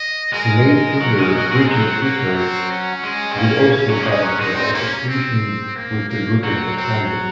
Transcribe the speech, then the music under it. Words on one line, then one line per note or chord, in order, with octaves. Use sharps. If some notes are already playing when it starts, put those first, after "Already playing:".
Female singer Bridget Wishart would also end her association with the group in September.
Already playing: D#5
G#3 A#4
F#3
G#3
F#3
G#3
F#3 C4
A#3
C4
C#4
G#3
C4
A#3
F#3
A#3
G#3
F#3
G#3 D#4
C4
A#3 C#4
C4
A#3
A#3
F#3 C4
C4